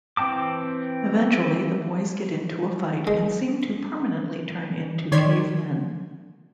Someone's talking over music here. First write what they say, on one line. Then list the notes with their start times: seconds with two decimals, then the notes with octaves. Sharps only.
Eventually, the boys get into a fight and seem to permanently turn into cavemen.
0.17 E3 C4 G5 A5 D6
3.07 G#3
5.12 D#3 C#5 D5 C6 G#6 B6